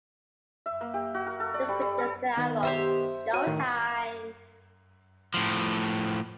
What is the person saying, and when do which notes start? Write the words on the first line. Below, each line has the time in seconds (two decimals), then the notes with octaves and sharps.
This produced the album Showtime!
0.66 E5
0.81 A#3
0.94 G4
1.14 F#4
1.27 A#4
1.40 A4
1.54 D5
1.69 G3
1.81 G3
1.98 A4
2.37 D#3 B3
2.63 G4 C5 E5
3.33 F#4 C#5 D#7
3.47 A2 D#3
5.34 A2 F3